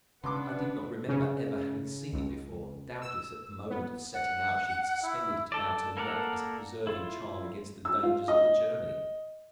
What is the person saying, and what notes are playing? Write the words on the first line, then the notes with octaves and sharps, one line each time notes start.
I did not remember ever having seen it before; doubtless, at the moment of setting out she had suspended it about her neck as a preserving charm against the dangers of the journey.
C#3 B3 D4 B4 F#5 C6 D6
C#3
C#2
E6
B3
F#5
E4
A4 D5
A#3 A4 A#4 D5 F#5
E4 F4
E6
F4
D#5